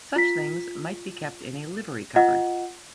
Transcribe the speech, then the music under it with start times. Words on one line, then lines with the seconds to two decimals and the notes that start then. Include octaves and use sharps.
Such things might be kept in a "livery cupboard".
0.16 F4 B6
2.16 F4 D#5 F#5